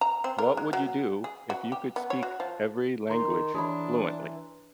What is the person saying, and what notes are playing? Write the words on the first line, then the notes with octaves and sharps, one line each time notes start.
what would you do if you could speak every language fluently?
A#5
C4
A#4
G#3
F#3
G#4
F#4
G4
B3
C#5
F#4
F3
D#3 A#5 C6
E3 D4 G#4 C#5 B5